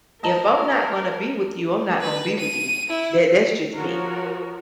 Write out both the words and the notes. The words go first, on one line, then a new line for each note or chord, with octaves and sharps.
if I'm not gonna be with you, I'm not gon' be with you. That that's just me,
A#4 D#5 A5 A#5
B4
D#7
E4
F3 F#4 A#4 C#5